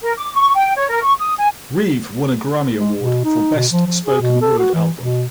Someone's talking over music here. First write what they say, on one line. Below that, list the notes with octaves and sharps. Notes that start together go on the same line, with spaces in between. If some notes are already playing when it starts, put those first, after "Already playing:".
Reeve won a Grammy Award for Best Spoken Word Album.
A#4
D6
C#6
G5
C#5
A#4
C#6
D#6
G#5
G#3
B2
D#4
B2
F3
F3
G#4
B2
A4
F#4
E3
B2